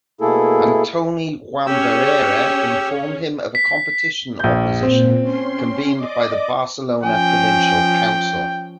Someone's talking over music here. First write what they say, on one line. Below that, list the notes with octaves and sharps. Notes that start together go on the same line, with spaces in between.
Antoni Jaume Barrera, informed him of a competition-opposition convened by the Barcelona Provincial Council.
B2 A3 A#3 E4 G#4 A4
C#4 G4 G#4 C#5 E6
B6
A#1 G6
A#2 C4
C#4 C6
D5 D#5 D6
F3 C#4 G5 G#5